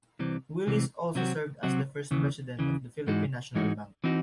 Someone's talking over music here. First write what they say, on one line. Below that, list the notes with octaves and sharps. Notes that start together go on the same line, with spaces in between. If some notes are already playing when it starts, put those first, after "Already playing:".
Willis also served as the first president of the Philippine National Bank.
C2 C3 E3 C4
C2 C3 E3 C4
C3 F#3 C4 F#4
C3 F#3 C4 F#4
D#2 C#3 E3
D#2 C#3 E3
G#2 E3 G#3 D#4 F#4
G#2 E3 G#3 D#4 F#4
E3 C4 D#4 F#4